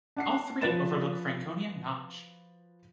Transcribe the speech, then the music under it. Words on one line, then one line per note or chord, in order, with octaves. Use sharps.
All three overlook Franconia Notch.
D4 F#5 C7
F3 F#4 B4 A6 E7